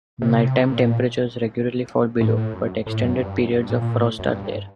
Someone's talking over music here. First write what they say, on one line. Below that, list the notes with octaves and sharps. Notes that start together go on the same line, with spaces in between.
Nighttime temperatures regularly fall below but extended periods of frost are rare.
C3
A#2
A2
A2
F#2
A2
F#2
G2
F#2
G2
A#2
A#2
A2
F#2
G2
G2